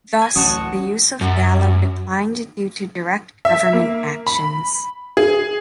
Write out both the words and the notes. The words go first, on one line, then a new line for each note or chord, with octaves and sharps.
Thus, the use of Gallo declined due to direct government actions.
G#5
A1 D2 F#3 C#4 F#4 A5 C#6 D#6
F#2
E5
A#3
B5
G#4